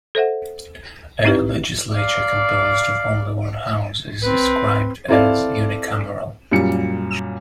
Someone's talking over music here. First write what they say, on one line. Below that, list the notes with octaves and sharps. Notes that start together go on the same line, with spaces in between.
A legislature composed of only one house is described as unicameral.
A4 C5 E5 F#5
C4 D#4 E4 G4 B4
D5 F5
C4 B4
C4 E4 A4 D5 F5
F#2 A#2 G3 C#7